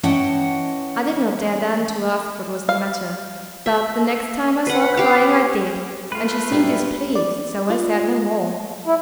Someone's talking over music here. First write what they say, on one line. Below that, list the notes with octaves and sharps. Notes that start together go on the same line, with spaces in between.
I did not dare then to ask what was the matter; but, the next time I saw her crying, I did, and she seemed displeased;--so I said no more.
E3 C#4 D#5 F#5 G5 A5
F5
E5
B4 F#5
G4 F5
A3 F4 B4
F#2 G3 E4
D5
F4
E4